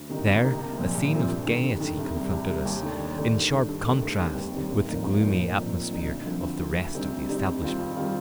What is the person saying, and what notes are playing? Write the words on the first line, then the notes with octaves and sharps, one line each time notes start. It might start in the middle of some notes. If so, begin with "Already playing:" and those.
There a scene of gayety confronted us, in sharp contrast with the gloomy atmosphere of the rest of the establishment.
Already playing: D2
C3 D#3 A#3 D#4
D2
C3 D#3 A#3 D#4
C2
A#2 F3 C4
C2
A#2 F3 C4
G2
D#3 A3
G2
D#3 A3
C2
C3 G3
C2
C3 G3
D#2
D#3 A3 D4
D#2
D#3 A3 D4
G2
D#3 A3
G2
D#3 A3
F1
D#2 D#3 G3 C4
F1
D#2 D#3 G3 C4
A1
A2 F3 A#3 D#4
A1
A2 F3 A#3 D#4
A#2
F3 C4 D#4
A#2
F3 C4 D#4
D2
D3 F3 C4
D2
D3 F3 C4
D2
C3 G3 C4 D#4
D2
C3 G3 C4 D#4
F2
D#3 G3 C4 F4
F2
D#3 G3 C4 F4